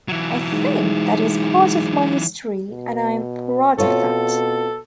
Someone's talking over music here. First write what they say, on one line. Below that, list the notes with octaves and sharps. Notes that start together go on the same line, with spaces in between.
I think that is part of my history and I am proud of that.
E3 F#3
G#2
B2
B2 C4 F4 A4 C#5